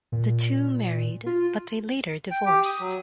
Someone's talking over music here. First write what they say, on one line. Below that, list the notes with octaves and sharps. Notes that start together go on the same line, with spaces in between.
The two married but they later divorced.
A#2
F4
G5
G4
D#6
F#3